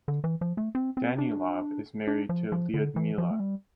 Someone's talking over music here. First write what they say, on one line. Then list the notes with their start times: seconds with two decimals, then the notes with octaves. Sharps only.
Danilov is married to Lyudmyla.
0.08 D3
0.24 E3
0.41 F3
0.57 A3
0.75 C4
0.97 C4
1.18 D4
2.07 D4
2.29 F3
2.52 F3
2.74 D3
2.96 E3
3.18 F3
3.31 A3
3.40 G3